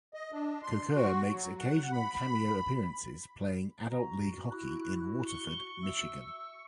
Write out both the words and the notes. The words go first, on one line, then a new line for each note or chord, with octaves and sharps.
Kocur makes occasional cameo appearances playing adult league hockey in Waterford, Michigan.
D#5
D4
C6
F#4
F#3
F#5
B5
F#4 A#5
E4 F#6
C#6 G7
E5 E6